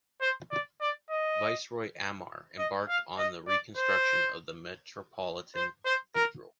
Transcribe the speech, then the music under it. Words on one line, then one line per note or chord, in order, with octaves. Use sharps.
Viceroy Amar embarked on the reconstruction of the Metropolitan Cathedral.
C5
D5
D5
D#5
D#5
F5
D#5
D5
C5
C5
C5
A#4